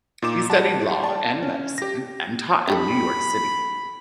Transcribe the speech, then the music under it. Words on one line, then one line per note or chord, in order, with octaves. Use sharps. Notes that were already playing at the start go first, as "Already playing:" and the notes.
He studied law and medicine, and taught in New York City.
A#2 D#4 D6 E7
G3 F#5 A5
D5 A5
C#4
G4 A#6
D4 G4 A4 B5